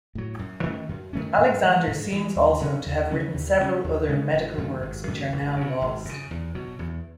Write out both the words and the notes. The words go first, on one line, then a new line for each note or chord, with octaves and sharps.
Alexander seems also to have written several other medical works which are now lost.
A2 F#3
F#2
D#3 A3 C#4
F#2
D#3 A3 C#4
G#2
E3 G#3
G#2
E3 G#3
D#2
C#3 F#3 C#4
D#2
C#3 F#3 C#4
D#2
C#3 G#3 C#4
D#2
C#3 G#3 C#4
G#1
F#2 D#3 A3
G#1
F#2 D#3 A3
G#1
F#2 C#3
G#1
F#2 C#3
E2
B2 F#3
E2